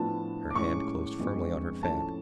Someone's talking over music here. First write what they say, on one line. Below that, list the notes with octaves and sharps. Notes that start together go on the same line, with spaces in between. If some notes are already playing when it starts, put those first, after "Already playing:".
Her hand closed firmly on her fan.
Already playing: A2 F3 B3 D4 A5
D6
A2 G#3 C#4 C#6
F2 F3 G#3 B3 D4
A2 F3 A3 C#4 A5